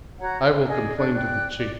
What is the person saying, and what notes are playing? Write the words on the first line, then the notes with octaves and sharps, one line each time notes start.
I will complain to the Chief.
F#4 C#5 F#5 A#5
C5
G#4 D5 D#5
D4 D5
D5 G5 F#6
D5